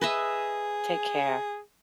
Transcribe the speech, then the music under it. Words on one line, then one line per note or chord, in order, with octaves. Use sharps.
Take care.
G#4 B4 D#5 E5